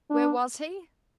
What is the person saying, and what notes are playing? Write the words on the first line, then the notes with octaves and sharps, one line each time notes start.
Where was he?
D4